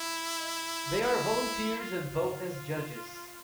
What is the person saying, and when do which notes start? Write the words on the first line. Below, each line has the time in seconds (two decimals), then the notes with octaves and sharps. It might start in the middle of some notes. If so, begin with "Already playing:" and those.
They are volunteers and vote as judges.
Already playing: E4
1.01 E4
1.80 F4